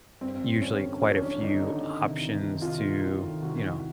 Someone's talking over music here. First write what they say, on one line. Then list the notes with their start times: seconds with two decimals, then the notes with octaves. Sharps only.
usually quite a few options to, you know,
0.21 G2 C4
0.41 G2
0.61 G2 C#4
0.81 D3
1.01 F#3 C#4
1.09 D4
1.17 D3 C#4
1.41 D3 D#4
1.61 D3
1.81 D#3
2.02 C3
2.22 D#3
2.42 D#3
2.62 C3 F4
2.82 C3
3.02 D#3
3.22 D#3
3.42 C2 F#4
3.63 C2